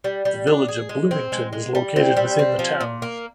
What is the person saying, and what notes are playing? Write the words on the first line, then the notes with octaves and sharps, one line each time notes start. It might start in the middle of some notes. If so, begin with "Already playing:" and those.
The Village of Bloomington is located within the town.
G3
G3
D4
G#4
G#3
C4
G#3
G#3
G3
C4
G3
C4
F3
A#2
A#3